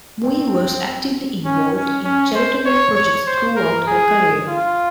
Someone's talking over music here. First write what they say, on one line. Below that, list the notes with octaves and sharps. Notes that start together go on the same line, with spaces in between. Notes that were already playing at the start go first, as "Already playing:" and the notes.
Mui was actively involved in charitable projects throughout her career.
C4
C#4
C#4
C#4
C5
C#5
C#5
C5
A#4
G#4
F4